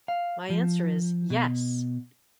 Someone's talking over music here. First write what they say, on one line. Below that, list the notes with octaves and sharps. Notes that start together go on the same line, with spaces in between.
My answer is, yes.
F5
F3
B2